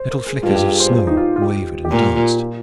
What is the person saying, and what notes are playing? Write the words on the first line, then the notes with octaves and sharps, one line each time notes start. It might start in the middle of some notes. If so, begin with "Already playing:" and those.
Little flickers of snow wavered and danced.
Already playing: C5
A#4
G#4
G2 F4
G4
G#4
C5
F4
D#4
F4
F4
G4
G4
A#2 F4
F4
F4